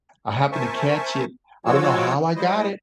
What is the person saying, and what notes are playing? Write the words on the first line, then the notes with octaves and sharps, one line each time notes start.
I happened to catch it, I don't know how I got it
A#4 C5 E5 G#5 A5 C#6
F3 G#3 F4 F#4 C#5 E6
G3 E4 C5 D#5